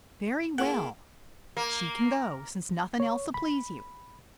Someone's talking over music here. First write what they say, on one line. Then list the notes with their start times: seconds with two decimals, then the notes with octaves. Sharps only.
"Very well, she can go, since nothing else'll please you."
0.58 A#3 E4 F4 G#4 F#5
1.57 A#3
3.00 C#5
3.34 B5